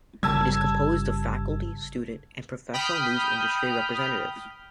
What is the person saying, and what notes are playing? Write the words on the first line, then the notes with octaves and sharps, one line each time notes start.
It is composed of faculty, student, and professional news industry representatives.
G1 C#3 G3 A5 E6 G#6
G5 B5 D#6 F6 G6